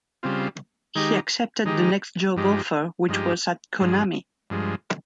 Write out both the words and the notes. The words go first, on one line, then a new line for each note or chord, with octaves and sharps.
He accepted the next job offer, which was at Konami.
C#3 G3 C4 F4
D#3 G#3 D#4 G4
D#3 G#3 D#4 G4
G2 F3 G#3 D#4 G4
G2 F3 G#3 D#4 G4
G2 F3 G#3
G2 F3 G#3